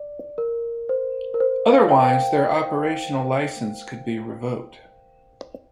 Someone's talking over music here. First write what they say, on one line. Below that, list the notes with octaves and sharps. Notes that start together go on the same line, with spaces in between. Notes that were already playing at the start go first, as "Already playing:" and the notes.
Otherwise their operational license could be revoked.
Already playing: D5
A#4
C5
A#4
C5
F5
G5